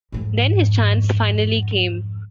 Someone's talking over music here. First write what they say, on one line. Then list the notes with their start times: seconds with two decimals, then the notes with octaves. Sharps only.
Then his chance finally came.
0.12 F2 G#2